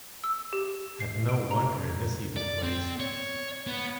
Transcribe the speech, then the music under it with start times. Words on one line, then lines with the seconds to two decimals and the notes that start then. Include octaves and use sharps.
And no wonder in this evil place.
0.24 E6
0.53 G4
1.00 C7
1.29 D7
1.51 A#5
2.36 D5
2.63 C4
3.00 C#5
3.67 B3